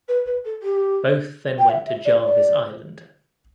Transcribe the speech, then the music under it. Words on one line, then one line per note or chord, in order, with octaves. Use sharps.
Both then went to Jarvis Island.
B4
B4
A4
G4
G5
E5
E5
D5
D5